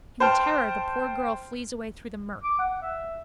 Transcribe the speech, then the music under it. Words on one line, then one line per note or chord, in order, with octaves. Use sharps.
In terror the poor girl flees away through the murk.
C5 G5 A5 F6
D6
F#5
E5